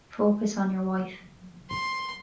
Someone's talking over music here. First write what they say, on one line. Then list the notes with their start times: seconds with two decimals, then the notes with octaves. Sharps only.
Focus on your wife.
1.70 C6